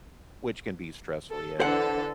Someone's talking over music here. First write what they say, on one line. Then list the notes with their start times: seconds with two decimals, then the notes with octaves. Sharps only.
which can be stressful, yeah.
1.30 A4
1.60 D3 E3 A4 C5 F#5